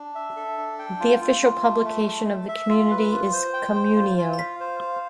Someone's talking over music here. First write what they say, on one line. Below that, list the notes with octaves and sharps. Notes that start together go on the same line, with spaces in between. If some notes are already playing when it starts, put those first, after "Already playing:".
The official publication of the community is "Communio".
Already playing: D4
E5
A4
D4
G5
F4
F4
F4
A3
A3
A3
A3
E5
F4
B4
F4
C5
G5
C5
F4
F4
F5
C5
F5